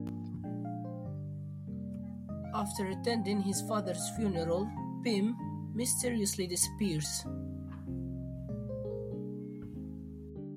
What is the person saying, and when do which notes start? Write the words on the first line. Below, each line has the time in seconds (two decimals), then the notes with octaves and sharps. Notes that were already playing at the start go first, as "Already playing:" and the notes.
After attending his father's funeral, Pym mysteriously disappears.
Already playing: G#2 F3 A#3 D4 G#5
0.44 A#2 F3 G#3 D4 G5
0.65 F5
0.85 C5
1.05 G2 D3 G3 D5
1.67 F2 C3 G3 A#3
2.29 F2 C3 D#3 G#3 D#5
2.44 F5
2.60 G#5
2.76 A#5
2.91 G#2 F3 C4 G#5
3.12 G5
3.33 G5
3.53 A#2 G#3 D4 G5
3.69 D#5
3.85 D#5
4.00 F5
4.15 F2 D#3 G#3 D4 F5
4.35 G5
4.57 G#5
4.77 C3 F3 G#3 C4 A#5
5.09 G#5
5.39 G2 D#3 G#3 D4 A#5
6.01 F2 D3 G#3
6.63 D2 D3 G3 A#5
6.84 G#5
7.05 F5
7.25 F2 D3 G3 C4 D#5
7.87 C2 C3 F3 C4
8.49 C2 A#2 G#3 D5
8.69 C5
8.85 G#4
8.90 A#4
9.11 C3 G3 A#3 D4 G#4
9.73 D#2 D#3 G#3 C4
10.36 D3 G3 D4 G4